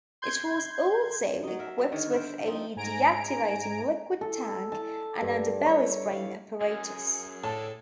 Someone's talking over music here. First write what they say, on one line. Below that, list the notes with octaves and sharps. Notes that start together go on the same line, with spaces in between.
It was also equipped with a deactivating liquid tank and underbelly spraying apparatus.
C6 G6 G#6
F#3 D#4
A#4 E5
G3 E5
D3 D#3 C#5
A#4 C5 E5
F3 C4 D#4
G#2 G#5 A#5 D7
A4
A5
G2
C#5
F5
F#2 G#4
A2 D4 A4 A5